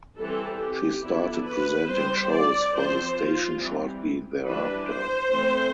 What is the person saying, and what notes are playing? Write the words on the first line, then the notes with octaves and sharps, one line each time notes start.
She started presenting shows for the station shortly thereafter.
E3 G3 C4 A4
G4
D3 F3 B3 D4 E4
B4
G3 C4 C5
D5
F3 C4 C5
F4
E3 G3 C4
E3 G3 D4 B4
C5
E3 A3 C4